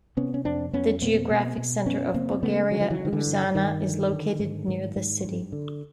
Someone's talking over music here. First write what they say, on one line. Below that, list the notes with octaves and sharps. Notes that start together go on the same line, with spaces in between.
The geographic center of Bulgaria - Uzana is located near the city.
C3 B3 C#4
C#4
F2 C4 D4
F2 B3 C#4
B2 A#3 C4
B2
B2
F#2 B3 C#4
C#3 A#3 C4
C4
C#3 A3 B3
D3 F#3
F3
E3 F#3
D3
D#3
D3 E3
G2
G2 D#3
D3
D3
G#2
G#2
G#2
G2
D3